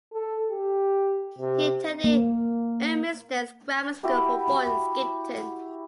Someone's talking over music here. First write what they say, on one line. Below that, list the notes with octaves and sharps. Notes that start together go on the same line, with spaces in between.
He attended Ermysted's Grammar School for boys in Skipton.
A4
G4
C3
A#3
E4 F#4 G4 B4